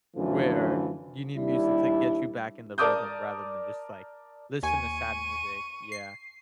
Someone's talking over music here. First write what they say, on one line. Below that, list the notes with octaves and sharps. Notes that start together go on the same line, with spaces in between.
where you need music to get you back in the rhythm rather than just, like, listen to sad music. Yeah.
F#2 D3 E3 F3 A3
D#2 G3 D4 E4
A#4 D5 A5 D6 D#6 G6
D#2 G#5 C#6 D#7
C7